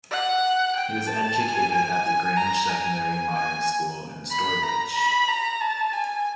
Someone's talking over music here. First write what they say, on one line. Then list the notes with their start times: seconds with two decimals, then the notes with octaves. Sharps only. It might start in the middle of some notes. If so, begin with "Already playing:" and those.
He was educated at the Grange Secondary Modern School in Stourbridge.
0.11 F#5
0.76 G5
1.07 A5
1.40 G#5
1.72 G#5
2.37 A#5
2.69 G#5
3.34 G#5
4.31 B5
4.63 A#5
4.95 B5
5.28 A#5
5.60 A5
5.92 G#5